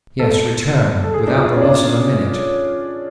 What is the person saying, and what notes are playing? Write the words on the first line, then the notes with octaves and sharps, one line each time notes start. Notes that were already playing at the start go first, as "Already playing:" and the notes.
"Yes, return, without the loss of a minute."
A4
A4
G#4
D4
F4
C#4
D4